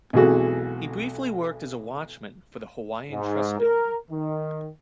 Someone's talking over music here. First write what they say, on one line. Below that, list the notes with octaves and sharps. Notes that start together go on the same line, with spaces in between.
He briefly worked as a watchman for the Hawaiian Trust building.
B1 F2 E3 G#3 F#4 A4
G#2
A#4
D#3